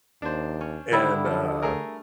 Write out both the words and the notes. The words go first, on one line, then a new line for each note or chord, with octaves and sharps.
And, uh,
D#2 D4 C5
C#4
D3 D#3 G3 D4 E4
F3
A3 G#4 A#4